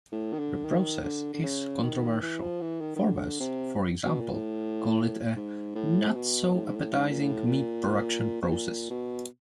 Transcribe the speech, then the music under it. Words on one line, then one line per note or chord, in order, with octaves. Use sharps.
The process is controversial; "Forbes", for example, called it a "not-so-appetizing meat production process".
A2
D#3
D3
D#3
D3
D3
C#3
D#3
E3
F3
E3
D#3
D#3
D3
C3
B2
A#2
A2
G#2
A2
C3
B2
A2
G#2
A2
G#2
A#2
A2
A#2
B2
A#2
B2